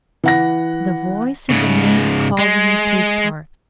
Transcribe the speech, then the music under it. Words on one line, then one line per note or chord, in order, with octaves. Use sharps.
The voice and the name caused me to start.
E3 F#5 A#6
G#2 C#3
G#3